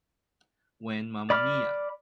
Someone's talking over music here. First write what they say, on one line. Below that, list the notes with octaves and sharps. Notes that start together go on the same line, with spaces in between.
When Mamma Mia!
D5 B5 D6 F6